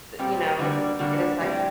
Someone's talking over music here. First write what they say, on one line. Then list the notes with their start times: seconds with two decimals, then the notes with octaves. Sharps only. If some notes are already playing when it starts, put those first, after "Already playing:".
Th You know? And it's like
0.18 A#2 G3 C4 G4
0.59 D3 G3 A#3 D4 F#4
0.99 D3 G3 A#3 D4 F#4
1.40 A2 G3 C4 G4